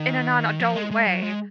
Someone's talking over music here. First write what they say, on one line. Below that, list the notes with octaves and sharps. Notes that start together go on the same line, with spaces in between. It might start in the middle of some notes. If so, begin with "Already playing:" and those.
in a non-adult way,
Already playing: D#3
F3
G#3
G#3
F#3
G#3